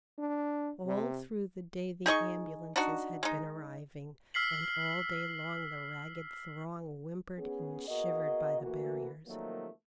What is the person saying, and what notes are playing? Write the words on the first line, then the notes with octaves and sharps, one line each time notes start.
All through the day the ambulances had been arriving, and all day long the ragged throng whimpered and shivered by the barriers.
D4
C3
D#4 G#4 D#5 C#6
D4 D#4 F#4
G#3 D#4
E6 F6 B6 C7 F#7
B3 C#4 G#4
A#3 B3 F#4 G#4 A#4 D#5
E3 A3 A#3 F#4
C3 D#3 F3 F#3 A3 A#3